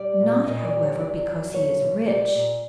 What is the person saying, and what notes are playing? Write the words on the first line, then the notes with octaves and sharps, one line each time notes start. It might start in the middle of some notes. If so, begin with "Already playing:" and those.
"Not, however, because he is rich."
Already playing: G3 D5
A#2
A#2 D#5
D5
G3
C#5
E2 D5
F#3
E2 C#5
B2
G3 D5
A#2